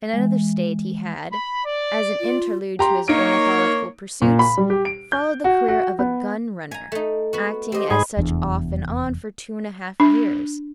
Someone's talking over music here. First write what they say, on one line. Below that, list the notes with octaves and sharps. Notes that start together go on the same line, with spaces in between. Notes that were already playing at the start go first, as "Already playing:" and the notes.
In another state he had, as an interlude to his ornithological pursuits, followed the career of a gun-runner, acting as such off and on for two and a half years.
E3 G#3
B5
D5
F4
G4 A#5 C6
A#3 D#4 C#5 D7
A#2
B5
G3
G4
D7
G6
F#4
F#4
B3
G#5 A#5
A3 D#4
B3 F#4
C4 G4 D#5
G#2 G#4 B5
F1 E2 D4
D4